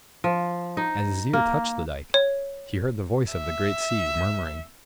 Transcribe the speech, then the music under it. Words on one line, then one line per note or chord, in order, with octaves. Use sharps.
As his ear touched the dike, he heard the voice of the great sea, murmuring.
F3
D#4
A#3
C#5
E5